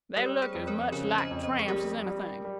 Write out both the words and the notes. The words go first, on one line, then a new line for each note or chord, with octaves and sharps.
They looked as much like tramps as anything.
G3 A#4 C#5
G#4 C5
F2
A#4 C#5
C#3 A#4 C#5
C5 D#5
F2
C5 D#5
G#4
G3 G4 A#4
G3
G3